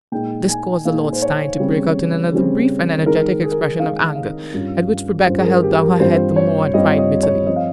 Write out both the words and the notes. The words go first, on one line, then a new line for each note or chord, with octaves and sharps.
This caused the Lord Steyne to break out in another brief and energetic expression of anger, at which Rebecca held down her head the more and cried bitterly.
A#2 G#3 D#4 G5
G#5
A#2 G#3 D#4 F5
C5
C#5
C#3 G3 C4
C#3 G3 C4
D#3 G#3 D#4 A#4
G#4
A#4
G#4
D#3 G#3 D#4 F5
F5
G2 G3 C#4 F4
G2 G3 C#4 F4 C5
G#4
A#4
G4
A#4
G2 G3 C4 F4 C5
C#5
G2 G3 C4 F4 D#5
D#5
C#5
F3 C4 D#5
F5